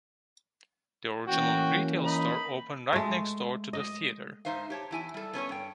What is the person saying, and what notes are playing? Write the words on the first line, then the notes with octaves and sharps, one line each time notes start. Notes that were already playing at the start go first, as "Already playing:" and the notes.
The original retail store opened right next door to the theatre.
E3 A#3 C#4 F#4 G5
D#4 B5
G#3 A3
D#5
G#2 G3 D#4 C5 E5 F5
G4 C#5 A5
E2 E4 G#5
G3 A4
B3 C#4 A#4 C#5
G2 G5